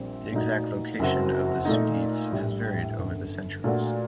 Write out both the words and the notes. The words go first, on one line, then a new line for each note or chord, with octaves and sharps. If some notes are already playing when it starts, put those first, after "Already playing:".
The exact location of the Sudetes has varied over the centuries.
Already playing: A#1 A#2 G3 C4
A#2 A3 D#4 F#4
F#1 F#2 F#3 C4 F#4
A#2 A3 D#4
A#1 A2 G3
G1 F#2 D3
A#2 A3 D4 F#4